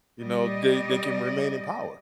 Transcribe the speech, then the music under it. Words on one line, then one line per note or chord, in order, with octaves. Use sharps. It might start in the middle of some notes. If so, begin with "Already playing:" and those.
you know, they they can remain in power.
G3 D5 D#5